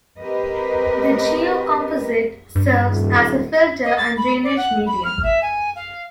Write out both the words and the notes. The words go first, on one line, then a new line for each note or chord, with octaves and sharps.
The geocomposite serves as a filter and drainage medium.
C4 G4 A#4 B4 D#5
G2
D#1
D#5
A6
B5
D5
F#5
B5
F6
E5
G#5
F5